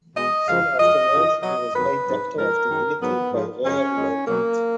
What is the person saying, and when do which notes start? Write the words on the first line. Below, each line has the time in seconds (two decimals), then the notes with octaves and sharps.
Soon afterwards, he was made Doctor of Divinity by royal mandate.
0.15 B2 G#3 D#5
0.47 F#2 C#3 F3 G#3 F5
0.78 F#2 F3 G#3 D#5
1.11 F#2 C#3 F3
1.42 B2 F#3 D#5
1.73 F#2 D#3 F#3 B4
2.05 G#2 F#3
2.37 G#2 F3 G#3 A#4
2.69 F#2 D#3 G#3
3.01 G#2 F#3 B3
3.32 G#2 F3 G#3
3.64 F#2 C#3 F3 G#3 C#4
3.96 F#2 D#3 G#3
4.27 B2 F#3 A#3